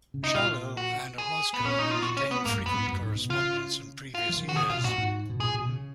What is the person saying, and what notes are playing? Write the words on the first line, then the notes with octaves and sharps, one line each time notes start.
Charlot and Orozco had maintained frequent correspondence in previous years.
C#3
D#4
A#2 F4
F#4
G#4
B3
A#2 C#4
D#4
F4
F#4
C#4
B3
G#2 A#3
F#2
B3
G#2
F#2
G#2
B2
C#3 F4
F4
F3
D#3
F#4
C#3 G#4
B2 F4
A#2 F#4
G#2
B2
A#2 G#4
B2
C#3